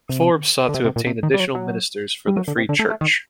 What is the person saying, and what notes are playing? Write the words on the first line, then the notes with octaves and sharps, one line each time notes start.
Forbes sought to obtain additional ministers for the Free Church.
C3
D3
C3
C3
A#2
C3
D#3
G3
F#3
F#3
G3
F#3
D3
C3
D3
A3
A3
D#3